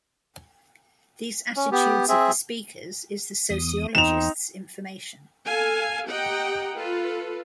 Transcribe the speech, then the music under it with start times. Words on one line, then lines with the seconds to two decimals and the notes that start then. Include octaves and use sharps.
These attitudes of the speakers is the sociologist's information.
1.57 C#4
1.72 B3 G4
2.09 C4 G#4 E5
3.50 E2 D#6
3.95 E2 C4 D#4 E7 F7
5.46 A4 F5 G#5
6.07 G4 D#5 F#5 G5 A#5
6.75 F4 A4 B4